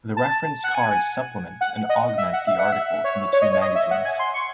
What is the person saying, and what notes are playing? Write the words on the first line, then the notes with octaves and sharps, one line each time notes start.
The reference cards supplement and augment the articles in the two magazines.
A5
F#5
G#5
F#5
D#5
E5
F#5
E5
F#5
E5
C#5
C#5
D#5
C#5
D#5
E5
F#5
G#5
C6
C#6